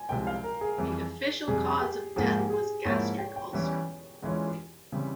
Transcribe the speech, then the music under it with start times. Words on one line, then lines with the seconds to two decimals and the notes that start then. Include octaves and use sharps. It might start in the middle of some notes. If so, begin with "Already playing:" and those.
The official cause of death was gastric ulcer.
Already playing: G#5
0.09 C2 C3 F3 G#3 G5
0.27 F5
0.44 A#4
0.61 G#4
0.78 F2 E3 G3
1.48 F2 C3 G3 G#4
1.81 G4
2.16 G#2 F3 A#3 G#4
2.39 G4
2.50 G#4
2.85 G#2 F3 A#3 E4 C#5
3.18 G5
3.36 G5
3.53 E2 E3 G3 C#4
4.22 E2 E3 G#3 C#4 F4
4.92 C#3 E3 G3 C4